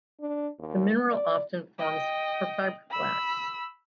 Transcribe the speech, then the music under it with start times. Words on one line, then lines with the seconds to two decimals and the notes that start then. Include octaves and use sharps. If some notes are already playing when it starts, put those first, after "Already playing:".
The mineral often forms porphyroblasts.
0.20 D4
0.59 D#2
1.11 D5
1.79 D#5 G5
2.90 B5 E6